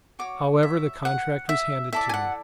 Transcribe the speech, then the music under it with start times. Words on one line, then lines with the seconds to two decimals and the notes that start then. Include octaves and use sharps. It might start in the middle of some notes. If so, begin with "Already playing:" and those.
However, the contract was handed to me.
0.19 F#4 C#5 D6
0.63 E5
1.05 F#5
1.49 E5
1.93 E4 A4 D5 E5
2.09 G#5
2.14 F#5